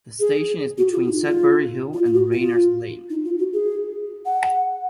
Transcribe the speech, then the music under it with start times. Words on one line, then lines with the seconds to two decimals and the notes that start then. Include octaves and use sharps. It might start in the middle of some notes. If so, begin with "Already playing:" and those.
The station is between Sudbury Hill and Rayners Lane.
0.20 G#4
0.78 F#4
0.92 F4
1.07 D#4
1.21 F4
1.94 F4
2.06 F4
2.14 F#4
2.32 F4
3.10 D#4
3.25 F4
3.38 F#4
3.53 G#4
4.25 F#5